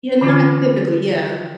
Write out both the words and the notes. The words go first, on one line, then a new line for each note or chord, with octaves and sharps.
Yeah, not typically, yeah.
D3 E3 C#4 F4